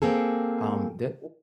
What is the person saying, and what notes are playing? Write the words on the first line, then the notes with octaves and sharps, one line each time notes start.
Um, that
A#3 C4 G#4 A4